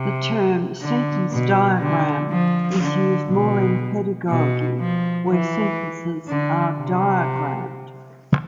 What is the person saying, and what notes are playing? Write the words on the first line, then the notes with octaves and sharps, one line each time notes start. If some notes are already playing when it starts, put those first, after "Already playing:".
The term "sentence diagram" is used more in pedagogy, where sentences are "diagrammed".
Already playing: C3
D3
B2
D3
F3
D3
B2
B2
F3
E3
D3
C3